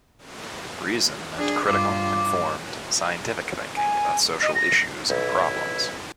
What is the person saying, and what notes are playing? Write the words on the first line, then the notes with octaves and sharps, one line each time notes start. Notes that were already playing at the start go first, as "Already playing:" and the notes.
Reason meant critical, informed, scientific thinking about social issues and problems.
D4 G#4
G2 F4 D6
G#5
D#5
A#6
B1 E4